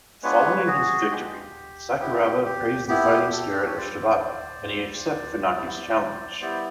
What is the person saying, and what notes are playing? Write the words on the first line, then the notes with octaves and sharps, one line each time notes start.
Following his victory, Sakuraba praised the fighting spirit of Shibata and accepted Funaki's challenge.
G#3 B3 D4 F4 B4 C#5
F#4 G#4
G#3 B3 D4 F4 G4
B3 E4 G4
G4
B3 E4 G4
G4 A4
C#5
G3 C4 F4 C5 D5
G3 C4 F4
G3 B3 E4
G3 B3 E4 C5 D5